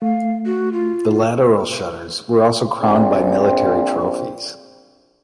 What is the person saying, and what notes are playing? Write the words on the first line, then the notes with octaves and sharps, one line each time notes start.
The lateral shutters were also crowned by military trophies.
A3 F5
F#4
F4
A#1 C4